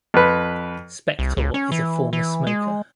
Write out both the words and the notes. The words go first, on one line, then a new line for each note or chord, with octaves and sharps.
Spektor is a former smoker.
F2 B4
C2
C#2
C#4
E3
E3
G#3